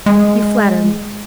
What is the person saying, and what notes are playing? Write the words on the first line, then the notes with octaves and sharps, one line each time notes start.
"You flatter me!"
G#3